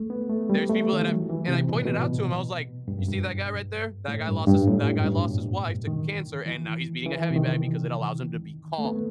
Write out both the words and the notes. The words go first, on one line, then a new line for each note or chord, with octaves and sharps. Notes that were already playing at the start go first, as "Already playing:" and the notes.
There's people that have and I pointed out to him, I was like, "You see that guy right there? That guy lost his that guy lost his wife to cancer, and now he's beating a heavy bag because it allows him to be calm.
Already playing: A3
B3
A3
G3
A3
D#3
E3
F#3
E3
C3
B2
A2
B2
G2
F#2
G2
A2
G2
G2
A2
G2
F#2
G2
B2
D#3
E3
E3
C3
D#3
A3
B3